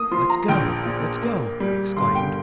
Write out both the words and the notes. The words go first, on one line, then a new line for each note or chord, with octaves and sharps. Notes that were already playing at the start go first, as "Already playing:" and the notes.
"Let's go, let's go!" I exclaimed.
Already playing: A#3 D#6
F3 C6
A#5
A#1 G5
A#2
A#3
G3
G1 C6
G5